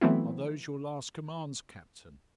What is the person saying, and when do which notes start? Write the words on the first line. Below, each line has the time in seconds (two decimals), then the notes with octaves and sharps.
"Are those your last commands, captain?"
0.01 E3 F#3 A3 B3 C4 E4